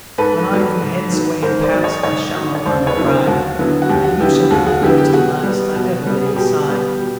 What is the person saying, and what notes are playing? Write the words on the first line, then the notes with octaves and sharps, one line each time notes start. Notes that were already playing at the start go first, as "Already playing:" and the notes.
"When I from hence away am past I shall not find a bride, And you shall be the first and last I ever lay beside."
G#2 A4 B4
D#3 F#3
G#2
D#3 F#3
G#2 A#4 C5
C5 D5
D#3 F#3
C#5 D#5
G#2 C#5 D#5
D#3 F#3
C#5
D#2 C5 D5
B4 C#5
D3 F#3 B3 E4
A#4 C5
D#2 F#4
D3 F#3 B3 E4
F#4
D#2 G4
F#4
D3 F#3 B3 E4 G4
G4
D#2 F#4 G#4
F#4 G#4
D3 F#3 B3 E4 G4
G4
B2 F#4 G#4
G3 B3
B2
G3 B3
G#4
B2 G4
G3 B3
B2